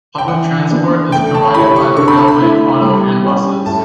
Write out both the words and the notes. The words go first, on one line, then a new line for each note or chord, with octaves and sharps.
Public transport is provided by the Railway, auto and buses.
G5
E3 F#5
B3 D4
A3 G5
A5
E4 G4 C#5 B5
C#6
D3 C#6
B5
A5
B5
A3 E4
G3
C#4 G4
A2 A5